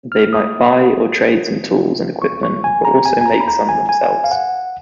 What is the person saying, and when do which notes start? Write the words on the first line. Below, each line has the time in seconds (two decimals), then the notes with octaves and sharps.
They might buy or trade some tools and equipment, but also make some themselves.
0.12 F6
0.33 D#6
2.22 C#6
2.43 C#6
2.64 G#5
2.85 A#5
3.06 G#5
3.21 G#5
3.26 A#5
3.40 B5
3.48 A#5
3.69 G#5
3.89 G#5
4.24 F5
4.32 F#5